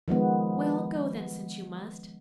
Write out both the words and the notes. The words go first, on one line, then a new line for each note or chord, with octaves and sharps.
'Well, go then, since you must.
D#3 F3 G#3 B3